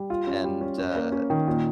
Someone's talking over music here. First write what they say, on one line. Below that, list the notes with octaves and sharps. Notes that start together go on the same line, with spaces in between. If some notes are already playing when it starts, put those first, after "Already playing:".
And, uh
Already playing: G3
F4
C#4
G3
C#4
C#4
A#3
C#4
D#3
A#2